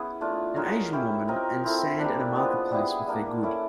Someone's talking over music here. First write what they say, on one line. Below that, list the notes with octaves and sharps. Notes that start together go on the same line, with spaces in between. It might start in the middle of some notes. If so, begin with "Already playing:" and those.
An Asian woman and sand at a marketplace with their good.
Already playing: B3 C#4 E4 G#4
A3 D4 F4
G#3 C#4 F#4 A#4
C#4 E4 G4
C4 F4 A#4 D#5
C4 E4 A4
G3 A#3 D4
F3 G#3 B3
G3 B3 E4 G#4
G3 A#3 D4
C#4 E4 A4 D5